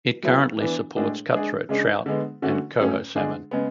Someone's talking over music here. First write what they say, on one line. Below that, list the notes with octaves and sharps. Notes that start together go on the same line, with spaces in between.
It currently supports cutthroat trout and coho salmon.
F#3 B3 E4 G#4
E3 B3 D4
A2 G#3 D4 G#4
G#3 D4 G#4
C#3 G#3 D4 G#4
D3 G#3 B3
D3 A3 C#4 F#4
A2 F#3 A3 C#4
D3 G#3 D4 G#4
C#3 G#3 B3